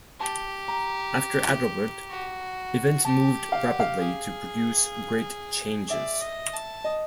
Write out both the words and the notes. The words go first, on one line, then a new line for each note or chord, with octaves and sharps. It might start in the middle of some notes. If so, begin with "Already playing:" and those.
After Adalbert events moved rapidly to produce great changes.
G4 A5
A#5
F#4
G4 A5
F5
F#5
F5
G#4
D5 E5
D#5
A5
D#5